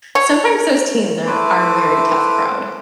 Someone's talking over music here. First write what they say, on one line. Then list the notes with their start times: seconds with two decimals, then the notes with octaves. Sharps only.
sometimes those teens are are a very tough crowd.
0.15 C#5
1.26 A3 E4 B4 C5 D6